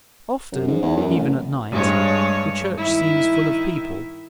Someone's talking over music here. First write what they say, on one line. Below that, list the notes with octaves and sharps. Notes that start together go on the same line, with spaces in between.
Often, even at night, the church seems full of people.
F#2
G#2
E2
F#2
A1
G2 G#3 C#5
D#3 E4